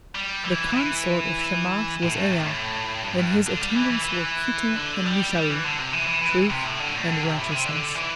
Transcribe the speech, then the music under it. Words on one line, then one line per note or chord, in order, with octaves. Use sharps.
The consort of Shamash was Aa, and his attendants were Kittu and Mesharu, "Truth" and "Righteousness".
G3
E3
E3
A2
A2
C3
A2
G2
G2
D3
G3
E3
E3
E3
D3
G3
G3
E3
D3
C3
E3
E3
E3
C3
A2
D3
G2
A2
D3
C3
A2
C3
D3
E3